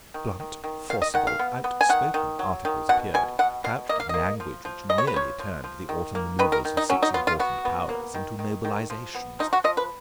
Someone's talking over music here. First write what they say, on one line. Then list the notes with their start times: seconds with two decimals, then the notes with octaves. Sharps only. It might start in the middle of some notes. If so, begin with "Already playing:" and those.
Blunt, forcible, outspoken articles appeared, couched in language which nearly turned the autumn manœuvres of six important Powers into mobilisations.
0.14 D#3
0.40 D#3
0.64 D#3
0.90 D#3 F5
1.02 D#5
1.14 D#3 F#5
1.27 F5
1.39 B3
1.64 B3
1.81 G#5
1.89 D#3 F#5
2.14 D#3
2.39 F#3
2.65 D#3
2.89 B2 F#5
3.14 B2 G#5
3.39 B2 F#5
3.64 B2 F5
3.89 A#3 D#5
4.00 F5
4.09 A#3 D#5
4.40 F3
4.65 F3
4.89 C#3 D#5
4.98 C#5
5.07 B4
5.14 F3 C#5
5.39 F3
5.64 F3
5.89 D#3
6.15 A#3
6.39 D#3 B4
6.52 A#4
6.65 D#3
6.77 D#4
6.89 F#3 C#4
7.03 D#4
7.14 B3 F4
7.27 F4
7.40 B3 F#4
7.65 B3
7.89 A#3
8.14 D#3
8.39 D#3
8.65 D#3
8.90 F3
9.15 B3
9.39 F3 D#4
9.53 F#4
9.64 F3 D#5
9.77 B4